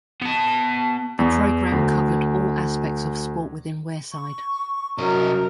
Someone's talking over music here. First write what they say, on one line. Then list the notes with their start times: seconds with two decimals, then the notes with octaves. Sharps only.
The programme covered all aspects of sport within Wearside.
0.22 B3 A5
1.19 E2
1.72 D2
4.13 C#6
4.99 C2 F#2 A#4 D#5